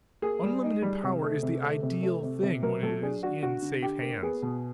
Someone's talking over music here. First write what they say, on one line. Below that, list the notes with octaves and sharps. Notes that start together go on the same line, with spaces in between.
Unlimited power is the ideal thing when it is in safe hands.
A#3 G#4
G3
D#4
G3
C3
A3
C3
A3
C3
A3
C3
C3
F#3 A#4
F#3 A4
D4 G#4
D4 F#4
D3 F#4
D3
D3 G4
A#3
B3 G#4
B2